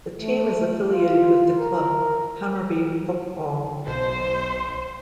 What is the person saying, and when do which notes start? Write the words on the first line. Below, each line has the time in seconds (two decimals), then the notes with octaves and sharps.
The team is affiliated with the club Hammarby Fotboll.
0.19 A3
0.92 F4
1.57 A#4
3.87 B1 C5